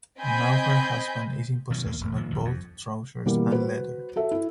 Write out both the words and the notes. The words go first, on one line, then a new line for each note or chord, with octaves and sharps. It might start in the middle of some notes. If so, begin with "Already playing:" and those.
Now her husband is in possession of both trousers and letter.
C4 D#5 G#5 B5 G6
B2 D#3 E3 F#3
E2 A#3
E1
A#2 D#3 F3
F#1 D#2 D#3
F2
B2 E3 G3 A#3
F#4 B4 C5
F#4 A4 E5
E4